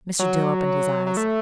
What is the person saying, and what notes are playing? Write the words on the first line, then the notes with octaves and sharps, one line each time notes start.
Mr. Dill opened his eyes.
F#3
F#3
A3